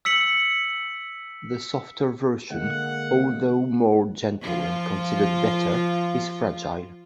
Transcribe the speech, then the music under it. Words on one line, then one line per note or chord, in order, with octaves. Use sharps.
The softer version although more gentle and considered better, is fragile.
E6 B6 C#7 F#7
D3 G#3 A#3 F#5
F3 F4